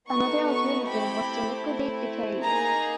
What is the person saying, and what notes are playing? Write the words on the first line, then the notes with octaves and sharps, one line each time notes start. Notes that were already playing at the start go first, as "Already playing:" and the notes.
Another alternative was to liquidate the carrier.
B3 D#4 F#4 A4 C#6
C#6
A3 C4 E4 G4 B5
A3 C4 E4
A#3 D#4 G#4 A#5